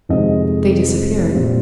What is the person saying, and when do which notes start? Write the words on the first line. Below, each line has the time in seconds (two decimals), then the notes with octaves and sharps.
They disappeared.
0.09 F2 C3 D#3 G#3 C4 D#5
1.34 A#2 G3 C4